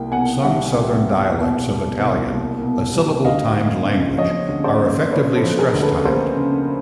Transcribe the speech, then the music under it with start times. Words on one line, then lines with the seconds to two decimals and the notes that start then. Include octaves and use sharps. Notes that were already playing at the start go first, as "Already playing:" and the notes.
Some southern dialects of Italian, a syllable-timed language, are effectively stress-timed.
Already playing: C2 A#3 G5
0.12 B2 F#5 G#5
0.42 G3 E5 F#5
0.74 C2
1.06 A#3
1.37 B2
1.68 G3
1.99 C2
2.30 A#3
2.62 B2
2.94 G3
3.24 D2 D#5 F5
3.56 A#3
3.87 C#3
4.18 F3 C#5 D#5
4.49 D2
4.64 C5 D5
4.81 A#3
5.11 C#3 B4 C#5
5.35 A4
5.43 F3
5.58 G#4 A#4
5.74 D2
5.82 A4 B4
6.05 A#3 A#4 C5
6.36 C#3